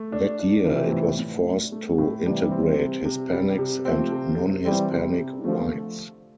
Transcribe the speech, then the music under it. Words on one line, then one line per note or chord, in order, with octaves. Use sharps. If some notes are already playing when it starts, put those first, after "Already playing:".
That year it was forced to integrate Hispanics and non-Hispanic whites.
Already playing: A3
D4
D4
C3 E3 F3
A2
A2
D4
A3
A2
C3 E3 G3
C4
C3
C3
G3
C3
F3 A3 C4
C3
C3
E3 G3 C4
C3
C3
D3 F3 A3